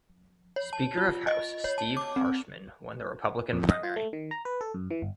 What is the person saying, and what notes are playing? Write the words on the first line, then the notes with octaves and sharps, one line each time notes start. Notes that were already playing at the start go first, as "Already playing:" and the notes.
Speaker of House Steve Harshman won the Republican primary.
C#5
A5
F4
D#5
C#5
A5
D6
C4
F2
D#5
F4
A3
D#3
A#5
B4
A4
F#2
E3
G1